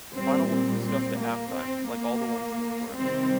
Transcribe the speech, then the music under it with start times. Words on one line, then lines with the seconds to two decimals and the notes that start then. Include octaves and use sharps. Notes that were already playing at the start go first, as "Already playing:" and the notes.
The final will be discussed at halftime, like all the ones in this tournament.
0.15 A#2 G3 C4
0.50 C4
0.85 C4
1.20 A#3
1.55 C4
1.90 A#3
2.96 C3 D#3 G3 C4